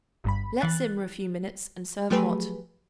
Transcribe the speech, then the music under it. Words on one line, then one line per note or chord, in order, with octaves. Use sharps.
Let simmer a few minutes and serve hot.
G1 G2 B5
E3 F#6 A6
F3 F#3 A3 G4 G#4 B4